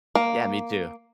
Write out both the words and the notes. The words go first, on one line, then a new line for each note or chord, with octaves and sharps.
Yeah, me too.
A#3